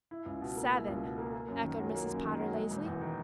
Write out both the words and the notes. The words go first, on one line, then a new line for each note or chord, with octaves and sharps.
"Seven!" echoed Mrs. Potter, lazily.
E4
C#2
B2
A#3
E4
C#2
B2
A#3
A#3
F#2
D#3
F#3
A#3
F#2
D#3
F#3
G#3
E1
E2
D#3